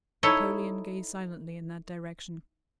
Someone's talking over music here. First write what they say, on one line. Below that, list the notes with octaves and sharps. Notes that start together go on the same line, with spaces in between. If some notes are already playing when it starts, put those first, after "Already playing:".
Napoleon gazed silently in that direction.
D#4 E4 A4 C#5 D#5